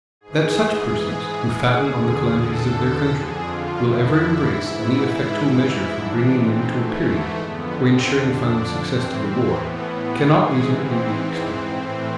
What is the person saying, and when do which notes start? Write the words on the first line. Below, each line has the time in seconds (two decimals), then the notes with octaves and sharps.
That such persons, who fatten on the calamities of their country, will ever embrace any effectual measure for bringing them to a period, or insuring final success to the war, cannot reasonably be expected.
0.21 G#2 E3 G#4
1.64 E2 D3
2.36 A4
3.07 F2 D3 G#4
3.43 F4
3.79 E4
4.50 G#2 E3 E4
5.94 G#2 E3 D4
6.30 C4
6.65 A3
7.37 F2 D3 B3
7.74 C4
8.09 D4
8.80 A2 E3 C4
9.52 B3
9.88 B3
10.24 G#2 E3 G#4
10.59 C4
11.68 A2 E3